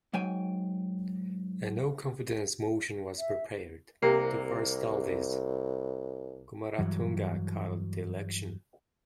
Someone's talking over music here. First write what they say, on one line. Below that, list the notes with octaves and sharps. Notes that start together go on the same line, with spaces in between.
A no-confidence motion was prepared; to forestall this, Kumaratunga called the election.
G#2 F#3 G5 G#5
E5
C2 C3 A#3
G2 E3 F#3